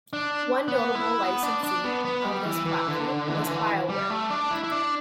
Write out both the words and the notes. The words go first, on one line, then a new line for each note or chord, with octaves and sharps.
One notable licensee of this platform was BioWare.
D4
B3
E4
B3
D4
D4
B3
B3
G3
E3
E3
D3
E3
D3
E3
G3
A3
D4
E4
E4
D4